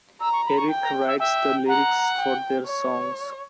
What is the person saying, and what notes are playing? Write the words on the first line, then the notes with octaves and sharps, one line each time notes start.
Eric writes the lyrics for their songs.
A#5 E6
C#6
B5
C#6
G5
A#5
E5
E5 G5
F#5 A#5
G5
C#5